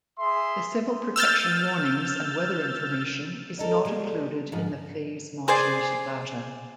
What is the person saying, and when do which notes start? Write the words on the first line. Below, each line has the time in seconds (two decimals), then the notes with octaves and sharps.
The civil protection warnings and weather information is not included in the phase-modulated data.
0.19 G#4 E5 C6
1.16 E6 F6 G6 A6
3.57 D2 D#4 A4 A#4
3.85 G3 G#3
4.52 G#2 F3
5.48 G#4 C5 D5 G#5